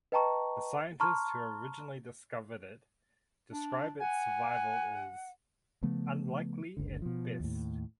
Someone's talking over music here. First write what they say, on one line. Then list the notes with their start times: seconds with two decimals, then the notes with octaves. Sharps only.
The scientists who originally discovered it describe its survival is "unlikely at best".
0.12 B4 D#5 G5 A5 A#5 C#6
1.00 A5 A#5 C6 C#6 F6
3.52 D4
4.00 F#5 G#5
5.83 C#3 F3 A3 B3
6.77 F#1 C#2 D3
7.02 B2 F3
7.40 D#2 A2